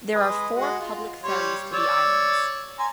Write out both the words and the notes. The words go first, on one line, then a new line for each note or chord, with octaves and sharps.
There are four public ferries to the islands.
G#3 B4 D#6
G#3 F#4
F4
G3 C#5 C6
C#5 D5 E6
G#5 A#5 C6